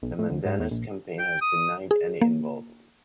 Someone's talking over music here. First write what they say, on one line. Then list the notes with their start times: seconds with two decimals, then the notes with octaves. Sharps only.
The Menendez campaign has denied any involvement.
0.02 B1
0.19 A2
0.30 D2
0.45 G#2
0.60 E2
0.71 A#1
1.19 G5
1.41 D#6
1.91 G#4
2.22 A#3